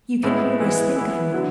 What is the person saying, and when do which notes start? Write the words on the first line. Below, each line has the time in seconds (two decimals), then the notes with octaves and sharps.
"You can always think of me."
0.23 A2 G#3 B3 E4
0.60 E3 G#3 B3 E4
0.96 E3 B3 E4
1.32 D3 F#3 B3 E4